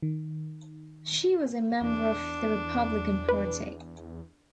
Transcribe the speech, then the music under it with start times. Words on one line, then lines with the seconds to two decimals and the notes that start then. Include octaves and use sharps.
She was a member of the Republican Party.
0.02 D#3
1.81 E2 D4
3.29 B4